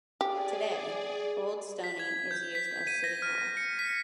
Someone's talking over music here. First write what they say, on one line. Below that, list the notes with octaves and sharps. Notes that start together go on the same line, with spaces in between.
Today, Old Stoney is used as City Hall.
G4 G#4 D5
B6
G#6
G6
B6
D#7
A#6
F6
C#7
B6